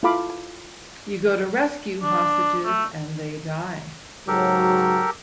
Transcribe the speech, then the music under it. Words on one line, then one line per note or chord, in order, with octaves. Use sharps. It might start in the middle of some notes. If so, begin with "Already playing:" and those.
You go to rescue hostages and they die.
E4 F4 A4 F5 B5 D6
D4
A3
G#2 C#3 F#3 G4 A4 A#4